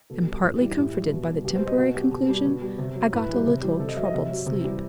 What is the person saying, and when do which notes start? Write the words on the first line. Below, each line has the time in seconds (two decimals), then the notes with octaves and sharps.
And partly comforted by the temporary conclusion, I got a little troubled sleep.
0.10 B2 A4
0.27 G3
0.43 A2
0.60 E3 G3
0.77 A2 G4
0.95 G3
1.11 B2
1.28 G3
1.44 B2 G4
1.55 C5
1.61 G3
1.66 D#5
1.78 B2 F#4
1.95 F#3 G4
2.11 B2
2.29 G3
2.45 B2 B4
2.62 G3
2.78 C3
2.95 F#3
3.13 A2 B4
3.29 E3 G3
3.47 C3
3.63 E3 G3
3.79 C3 A4
3.88 D#5
3.96 F#3 E5
4.05 D#5
4.14 C3 E5
4.30 F#3
4.46 C3
4.64 E3 G3